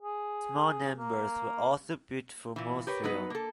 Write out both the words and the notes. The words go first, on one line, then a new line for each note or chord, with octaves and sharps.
Small numbers were also built for Mosfilm.
G#4
A#3
A#2 E3
G4 A#4 B4 C#5
F#3 B3 D#4 B4
A#3 A4